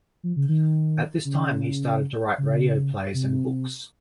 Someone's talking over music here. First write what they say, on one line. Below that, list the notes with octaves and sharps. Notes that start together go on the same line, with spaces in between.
At this time he started to write radio plays and books.
F3
C#3
D#3
C#3
C#3
C3